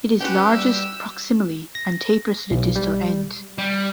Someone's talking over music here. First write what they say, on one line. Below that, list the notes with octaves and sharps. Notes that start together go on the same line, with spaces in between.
It is largest proximally and tapers to the distal end.
C#4 F#4 G4 B4 G5
G3 E6
A#6
B1
G3
G3